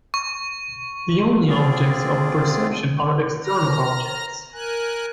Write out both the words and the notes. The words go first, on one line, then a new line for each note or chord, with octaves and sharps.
The only objects of perception are external objects.
C#6
D3 C4 F4 G#4 D5
A#5 F6 A#6
A#4 G#5 F#6